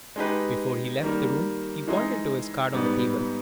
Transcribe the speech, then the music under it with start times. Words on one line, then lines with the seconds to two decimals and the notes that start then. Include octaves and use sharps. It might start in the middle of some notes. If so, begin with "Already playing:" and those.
Before he left the room he pointed to his card on the table.
0.16 G#3 D#4 G4 B4
1.02 D#3 G3 A#3
1.87 E3 G#3 D#4
2.73 G#2 G3 B3